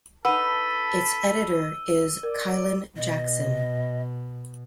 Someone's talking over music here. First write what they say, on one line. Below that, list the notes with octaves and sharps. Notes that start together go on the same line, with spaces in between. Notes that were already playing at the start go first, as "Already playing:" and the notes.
Its editor is Kyeland Jackson.
D#4 A4 B4 F#5 A5 B5 E6 D#7
A#4 D5
B2 D#5